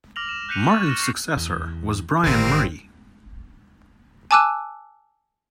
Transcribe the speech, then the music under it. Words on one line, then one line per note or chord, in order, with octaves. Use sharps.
Martin's successor was Bryan Murray.
D6 F6 A#6 F7 F#7
E7
F#6 G6 B6 C#7 D#7 F7
C#6 A6 B6
F6 A#6 E7
C#6 C7
E2
G#1 D3 G3 A#3 C4
G#5 A5 D6 E6 F#6 D#7